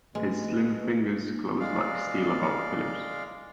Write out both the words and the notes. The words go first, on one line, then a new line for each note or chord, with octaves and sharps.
His slim fingers closed like steel about Philip's.
B2 G#3 A3
G#3 D5 F5